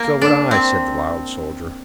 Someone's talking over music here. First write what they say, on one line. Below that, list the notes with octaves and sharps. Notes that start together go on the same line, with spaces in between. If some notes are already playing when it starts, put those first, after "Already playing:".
"So would I," said the loud soldier.
Already playing: A#3
D4
C4